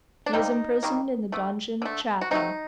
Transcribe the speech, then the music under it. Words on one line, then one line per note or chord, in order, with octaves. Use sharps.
He is imprisoned in the dungeon of Chatham.
D4
C3 G3 A#3 D#4
D#3 G3 A#3
D3 A3
D3 A3
F#4
C3 F#3 A3 D#4